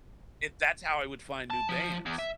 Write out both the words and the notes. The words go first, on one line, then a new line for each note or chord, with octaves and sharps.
It that's how I would find new bands.
A5
F3
E2
E5